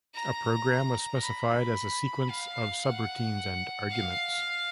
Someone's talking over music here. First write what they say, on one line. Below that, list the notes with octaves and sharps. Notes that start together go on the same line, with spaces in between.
A program was specified as a sequence of subroutines and arguments.
A#5
B5
F5
F#5
F5